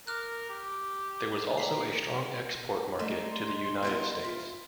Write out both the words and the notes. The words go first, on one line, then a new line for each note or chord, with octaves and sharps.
There was also a strong export market to the United States.
A#4 D6 F6 F#6
G4
A#5 B6 C7
G3 A3 D#4 C6
B3 D#4 E4
E4 F4